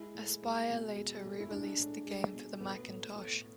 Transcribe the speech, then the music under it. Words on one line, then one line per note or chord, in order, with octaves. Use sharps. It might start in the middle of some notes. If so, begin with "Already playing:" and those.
Aspyr later re-released the game for the Macintosh.
Already playing: G#3 E4
A2
G#3
B2
G#3
A2
E4
G#3 D4
A2
G#3
B2
A2 B3
A2
A2